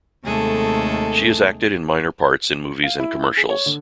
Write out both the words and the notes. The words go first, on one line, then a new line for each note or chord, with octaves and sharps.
She has acted in minor parts in movies and commercials.
D#2 C3 G#3 A3 G#4 A4
F5
E4
E6
G#4
C#5
D3